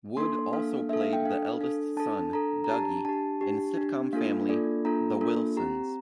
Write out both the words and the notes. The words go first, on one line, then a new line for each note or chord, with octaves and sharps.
Wood also played the eldest son, Dougie, in sitcom family "The Wilsons".
A#3 D4 A4 C6
A#3 D4 A4 F5
A#3 D4 A4 E5
F5
G5
D4 A4 F5
D4 A4
D4 A4 A5
D4 A4 A#5
A#5
D4 G4 A5
D4 G4 A5
D4 G4
D4 G4
A#3 D4 F4 A4 F5
A#3 D4 F4 A4 D5
A#3 D4 F4 A4 A#5
A#3 D4 F4 A4
C4 G4 A#5